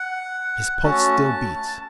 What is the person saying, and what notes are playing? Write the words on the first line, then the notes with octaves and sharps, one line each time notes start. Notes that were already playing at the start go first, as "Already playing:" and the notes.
His pulse still beats.
Already playing: F#5
A3 C#4 F#4 A5